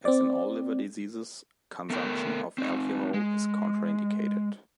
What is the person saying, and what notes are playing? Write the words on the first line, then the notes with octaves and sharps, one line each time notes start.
As in all liver diseases, consumption of alcohol is contraindicated.
C4 D5
A3 B3 A#4 G5
C4 D#4
G#3